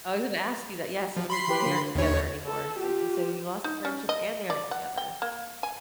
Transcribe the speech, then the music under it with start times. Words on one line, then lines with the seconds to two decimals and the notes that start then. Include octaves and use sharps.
I was gonna ask you that, yes. So did they aren't together anymore. And so and so you lost the friendship, and they aren't together.
1.17 F3
1.30 B5 C6 C7
1.48 E3 G4 B4
1.62 D3 A#3
1.95 D#2 D3 D#3 C#5
2.46 A4
2.77 F4 G4
3.64 D#4
3.85 C#4
4.09 D#5
4.50 D5
4.71 F#5
4.97 G5
5.22 A#3
5.63 G#5